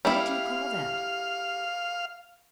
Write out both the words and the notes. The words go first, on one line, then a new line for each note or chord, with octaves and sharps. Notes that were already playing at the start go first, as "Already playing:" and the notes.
"And what do you call that?"
G3 D4 E4 F5